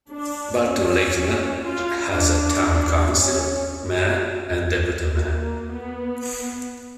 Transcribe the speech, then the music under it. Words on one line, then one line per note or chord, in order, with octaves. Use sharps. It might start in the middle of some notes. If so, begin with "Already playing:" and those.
Burton Latimer has a town council, mayor, and deputy-mayor.
D4
C#4
F4
D4
C#4
A#3
B3